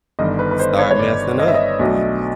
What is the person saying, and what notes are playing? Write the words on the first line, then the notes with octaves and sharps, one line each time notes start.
and started messing up. Y yes,
G1 G2 D#3 D#5
B4
B4
C5
C#5
C#5
D5
D#5
E5
D#5
B1 B2 F#3 A3 D4